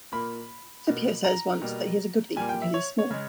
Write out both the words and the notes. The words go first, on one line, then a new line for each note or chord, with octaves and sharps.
Scipio says once that he is a good thief because he is small.
A#2 A#3 B5
B2 A#3
A#5
B2 G3 A#3
A#2 G3 A#3 G#5
G5
E5
C#5
C#5
C#3 G#3